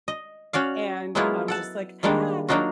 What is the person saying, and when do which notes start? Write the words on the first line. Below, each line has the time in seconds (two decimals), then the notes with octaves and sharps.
and I'm just like, "Ah!"
0.08 D#5
0.53 C#4 F#4 D5 F5
1.15 F#3 G#3 A#3 B3 E4 F4
1.48 A4 F#5 A5
2.03 D#3 G3 G#3 A#3 D4
2.49 F#3 A#3 D4 D#4 F4 F#4